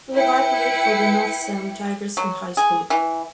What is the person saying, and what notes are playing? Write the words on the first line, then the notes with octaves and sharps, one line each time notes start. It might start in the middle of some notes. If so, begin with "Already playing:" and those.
Levy played for the North Salem Tigers in high school.
E4 B4 G5 C#7
F#3
G#4
E3